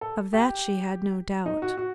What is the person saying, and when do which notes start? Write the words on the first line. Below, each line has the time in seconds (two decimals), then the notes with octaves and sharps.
Of that she had no doubt.
0.01 A4
0.33 G4
1.46 D#4
1.62 F#4
1.77 F#4